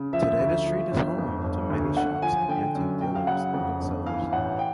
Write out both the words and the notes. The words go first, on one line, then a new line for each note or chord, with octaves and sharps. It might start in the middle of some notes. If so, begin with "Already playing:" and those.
Today the street is home to many shops and antique dealers and booksellers.
Already playing: C#3
F3 E5
D2
F3
G1
F2
G1
D2
D3 F#5
F3 G#5
D3 G5
F#2
F#2 G5
F5
C#3 F#5
F2
G1
E3 F5
A1 F#5
G5